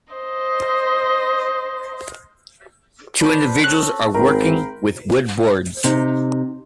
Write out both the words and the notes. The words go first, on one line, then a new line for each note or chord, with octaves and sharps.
Two individuals are working with wood boards.
C5 D#5
D4 B4 C5
C4 C#4 A4 F#6
G#1 A#4 G5 B5 C6
C3 D#4